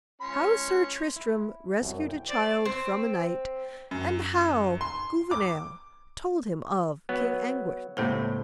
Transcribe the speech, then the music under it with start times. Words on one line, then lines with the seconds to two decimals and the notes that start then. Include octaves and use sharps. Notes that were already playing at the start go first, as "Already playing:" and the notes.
How Sir Tristram rescued a child from a knight, and how Gouvernail told him of King Anguish.
0.21 C#4 C6
1.16 E4
1.82 C2 F#2
2.09 G5
2.29 C5 D5
2.66 C4
3.91 F#2
4.81 C6
5.31 D6
7.09 F#3 B3
7.97 C#2 A2 C3 A#3 A4 C5